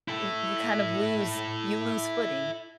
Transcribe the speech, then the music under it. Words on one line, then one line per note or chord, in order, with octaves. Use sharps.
y you kind of lose you lose footing.
E4 A4